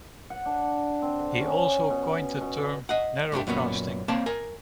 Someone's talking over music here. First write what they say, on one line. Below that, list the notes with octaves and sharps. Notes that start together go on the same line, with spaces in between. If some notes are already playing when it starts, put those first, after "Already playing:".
He also coined the term "narrowcasting".
F#5
D4
C4
D3
C#4
B2
B2
D#5 F#5
G2 A3 D4 G4
F#2 A#2 B3 C#4
A#3 C4 C#5 D5 F5 A5
A#4 G#5